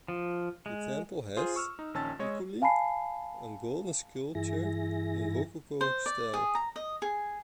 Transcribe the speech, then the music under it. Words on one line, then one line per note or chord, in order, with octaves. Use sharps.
The temple has, equally, a golden sculpture in rococo style.
F3
G#3
F4 G#4 C5
C#6 E6 F6
D#4
A#1 D#3 C#4 A5 E6 A6
G#3 C#5 D#5
F5 G#5 A5 B5 C7
G2 E3 E4 G#4 A#6
C5
D5
G#4
A#5
D#5
G#4